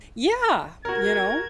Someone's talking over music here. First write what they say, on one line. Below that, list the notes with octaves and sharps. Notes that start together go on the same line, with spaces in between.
Yeah, you know?
F#4 A#4 G#6